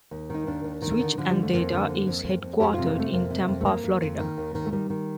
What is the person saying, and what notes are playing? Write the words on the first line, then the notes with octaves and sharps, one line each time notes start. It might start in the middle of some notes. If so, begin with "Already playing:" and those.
Switch and Data is headquartered in Tampa, Florida.
D#2
D#3 D#4
D#2 D4
D#2
D#3
D3
D3 F3
G3
F2
A3
F2 A#3
D3
F2
F2
F2
F2
F2 G4
C3 F4
A#3
C3 A3
F2 A#3
C3
F2
A3
F2 A#3
F2
F2
D#3
D#2
D#3
A3
D#3 G3
D#3